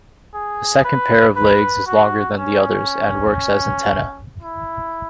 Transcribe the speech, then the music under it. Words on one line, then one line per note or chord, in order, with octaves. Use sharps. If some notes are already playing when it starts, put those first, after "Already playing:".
The second pair of legs is longer than the others and works as antennae.
G#4
B4
B4
F#4
C#4
E4